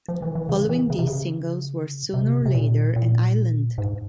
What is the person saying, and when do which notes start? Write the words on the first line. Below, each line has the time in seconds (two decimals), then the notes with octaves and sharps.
Following these singles were "Sooner or Later" and "Island".
0.08 F3
0.22 E3
0.35 E3
0.49 C#3
0.69 E3
0.90 C#3
0.99 C3
1.07 C#3
2.14 C3
2.45 C3
2.54 A#2
2.96 A#2
3.78 G#2